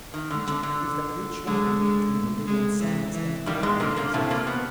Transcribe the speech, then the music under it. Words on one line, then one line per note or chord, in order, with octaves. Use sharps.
Egypt is that rich ravine between the Libyan sands and the Arabian desert.
D#3
D3
D3
D3
D3 G#3
G#3
A3
G#3
E3
E3
G2 D#3 G3
G#2 G#3
A#2 D3 A#3
A#2 A#3
A2 C3 A3
A#2 A#3
B2 B3